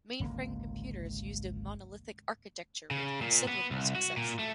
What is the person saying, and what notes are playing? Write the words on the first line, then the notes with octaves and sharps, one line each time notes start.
Mainframe computers used a monolithic architecture with considerable success.
G#1 C#2 D3 A#3
C#3
A#2
B3
C2
F#4
A#2
A3